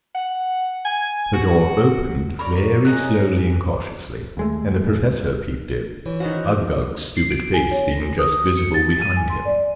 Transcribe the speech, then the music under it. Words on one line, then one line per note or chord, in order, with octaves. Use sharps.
The door opened, very slowly and cautiously, and the Professor peeped in, Uggug's stupid face being just visible behind him.
F#5
G#5
F#4
A#4 C#5 D5 B5
C#3 G#4 D#5 A#5 F#6
D#2 G#3 A3
E3 C#5
D#3 C#4 F#4 C5 D#5
C7
D7
G#5
C#5
A#6
D#6
C#7
A6
D#7
G#5
C6
D5